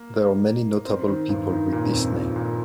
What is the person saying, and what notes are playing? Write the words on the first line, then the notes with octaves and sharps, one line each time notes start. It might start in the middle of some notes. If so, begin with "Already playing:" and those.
There are many notable people with this name.
Already playing: A#3
C4
D#3
G2
D#3
A#2
G2
F2
F2
A#2